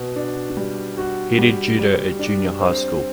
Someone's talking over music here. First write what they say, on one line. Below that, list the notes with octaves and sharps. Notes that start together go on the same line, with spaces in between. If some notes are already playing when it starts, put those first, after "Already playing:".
He did judo at junior high school.
Already playing: B2 F#4
D4
G3
F#4
G3
G3
D4
C4